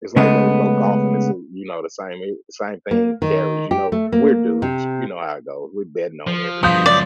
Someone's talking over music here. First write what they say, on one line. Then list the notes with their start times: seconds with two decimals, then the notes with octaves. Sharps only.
it's like when we go golfing, it's, uh, you know, the same i same thing carries, you know, we're dudes, you know how it goes, we're betting on everything.
0.16 C#3 G#3 A3 B3
2.91 A#3
3.22 D#3
3.71 G4
3.92 A3
4.12 A#3
4.62 C3
6.27 F3
6.63 G2 B2 F3 D#6 G6
6.86 C#2 F#2 D5